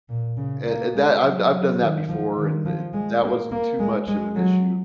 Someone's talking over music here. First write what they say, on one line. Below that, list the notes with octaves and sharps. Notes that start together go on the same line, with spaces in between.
and and that I've I've done that before, and th that wasn't too much of an issue.
A#2
C#3
A#3
G#3
F#3
F#3
D#3
F3
D#3
F3
G#3
A#3
A#3
G#3
G#3
F#3